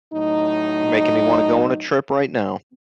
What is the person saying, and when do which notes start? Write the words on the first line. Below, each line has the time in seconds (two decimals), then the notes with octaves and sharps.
You're making me wanna go on a trip right now.
0.13 A2 F#3 D#4